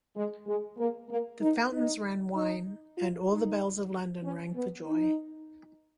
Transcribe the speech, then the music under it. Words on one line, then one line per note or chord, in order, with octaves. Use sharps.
The fountains ran wine and all the bells of London rang for joy.
G#3
G#3
A#3
A#3
D#4
D#4
D#4
F4
D#4
C#4
B3
D#4